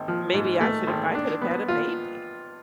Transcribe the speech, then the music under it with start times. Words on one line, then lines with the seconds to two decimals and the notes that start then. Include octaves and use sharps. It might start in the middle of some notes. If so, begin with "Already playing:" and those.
maybe I should have I could have had a baby
Already playing: G#1
0.08 F3
0.34 G#2
0.61 A3
0.87 G#1
1.15 D4
1.42 B3
1.68 F4